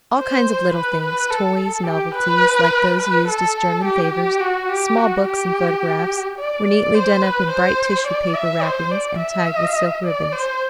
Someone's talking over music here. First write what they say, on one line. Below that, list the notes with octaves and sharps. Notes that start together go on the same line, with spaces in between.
All kinds of little things--toys, novelties, like those used as German favors, small books and photographs, were neatly done up in bright tissue paper wrappings, and tied with silk ribbons.
C5
B4
B4
A4
G4
B4
B4
A4
G4
G4
F#4
G4
F#4
G4
D5
D5
C5
B4
C5
D5
E5
C5
D5
E5
D5
C5